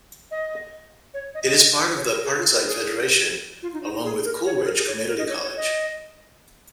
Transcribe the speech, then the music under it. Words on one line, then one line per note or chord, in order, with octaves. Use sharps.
It is part of the Parkside Federation, along with Coleridge Community College.
D#5
C#5
D#5
D#5
C#5
A#4
G#4
F4
A#4
G#4
F4
D#4
D#4
G#4
A#4
C#5
C#5
G#4
A#4
G#4
C#5
C#5
A#4
D#5
C#5
C#5
D#5